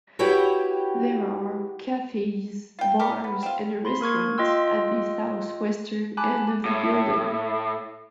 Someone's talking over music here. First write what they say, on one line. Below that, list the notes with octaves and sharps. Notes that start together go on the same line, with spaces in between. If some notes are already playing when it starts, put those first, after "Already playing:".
There are cafes, bars and a restaurant at the south-western end of the building.
E4 F#4 G4 B4 C#5 G5
F4 G5
G3 A3 G4 A#4
B3
C4 F4
B5 C6
A#3 A#4 C#6 G#6
F4 D#5 G5 C6 E6 F#6
G#5 A5 B5 D6 F#6
A2